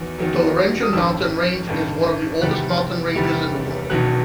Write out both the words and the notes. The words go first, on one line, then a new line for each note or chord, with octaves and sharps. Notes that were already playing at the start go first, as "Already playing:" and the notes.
The Laurentian Mountain range is one of the oldest mountain ranges in the world.
Already playing: E2 D#3 F#3
E2 D#3 F#3
D#6
A1 G2 D#3 E6
A1 G2 D#3
E2 C3 D#3 G3 F#6
E2 C3 D#3 G3
E1 E2 D#3 F#3 F#6